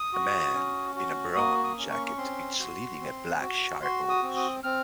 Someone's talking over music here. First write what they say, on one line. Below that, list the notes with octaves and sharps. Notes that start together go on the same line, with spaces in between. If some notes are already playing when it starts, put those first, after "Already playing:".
A man in a brown jacket is leading a black shire horse.
Already playing: D#6
F#4
C#4
F#4
A#3 D#6
D#6
C#4
C#6
C#6
C4 C6
F#4
C4
F#4
F#4 C6
D#6
C4
D#6
C4 F6